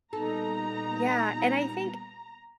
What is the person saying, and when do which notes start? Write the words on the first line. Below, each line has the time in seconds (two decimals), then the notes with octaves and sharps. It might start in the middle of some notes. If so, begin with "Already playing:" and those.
Yeah, and I think
0.13 A#2 G3 B3 D#4 A4 A#5